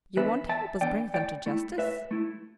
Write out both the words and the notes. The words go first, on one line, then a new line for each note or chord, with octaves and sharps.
"You won't help us bring them to justice?"
E3 B3 D4 B4 E5
E2 E5 A5
E3 B3 D4 D5 G5
A2 D5 G5
A3 E4
A2 B4 E5
A3 E4